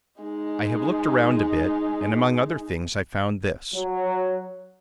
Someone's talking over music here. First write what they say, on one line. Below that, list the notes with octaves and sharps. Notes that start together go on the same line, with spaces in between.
I have looked around a bit, and among other things I found this.
G#3 D#4
F#3